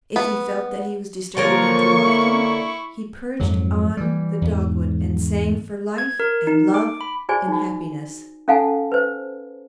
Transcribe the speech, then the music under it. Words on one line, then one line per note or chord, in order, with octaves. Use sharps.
If he felt that he was disturbing her too often, he perched on the dogwood and sang for life, and love, and happiness.
B3
D3 F3 A#3 A#4 C#5 C#6
E4
F2 G#2 F#3
E3 G3
E2 G#2
G#6
A#4
D#4
D6
B5
F#4 G#4 C5 D5 G#5
D#4 F#4
C#4 A4 F5 F#5 G#5 A5
B4 C5